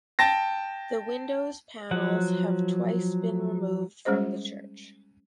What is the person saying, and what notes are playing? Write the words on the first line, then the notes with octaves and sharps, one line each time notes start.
The windows panels have twice been removed from the church.
G5 A5 A6 A#6
F3 F#3 F#5
G3 G#3 C#4 G#4 C5 D#5